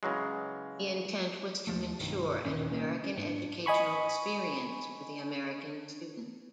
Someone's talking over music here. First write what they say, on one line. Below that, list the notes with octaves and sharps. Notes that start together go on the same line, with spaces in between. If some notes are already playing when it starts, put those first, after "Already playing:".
The intent was to ensure an American educational experience for the American student.
C#3 E3 F#3 G#3
D#2 F3 A3
B1 G2 D#3
D#2 A#2 D#3 C#4
C2 F#2 A#3 C#4
C#4
G#2 D4
D#5 G#5 B5 C#6